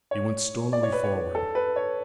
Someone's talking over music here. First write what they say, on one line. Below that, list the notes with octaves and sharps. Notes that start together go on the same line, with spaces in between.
He went stonily forward.
C#5
D5
C#5
B4
C#5
A4
B4
C#5